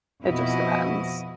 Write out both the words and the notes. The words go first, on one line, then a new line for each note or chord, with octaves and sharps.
it just depends.
F2 B2 E4 D#5